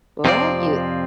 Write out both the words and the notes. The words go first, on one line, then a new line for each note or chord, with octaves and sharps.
Well, you
F2 C3 F3 C4 F4 D5